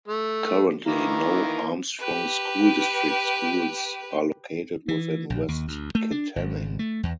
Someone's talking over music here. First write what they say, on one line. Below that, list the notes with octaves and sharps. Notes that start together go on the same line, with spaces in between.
Currently, no Armstrong School District schools are located within West Kittanning.
A3
D#3 E3 A#3
G4 B4
E3
A#1
D#2
D2
A3
D4
G#1
A3
E2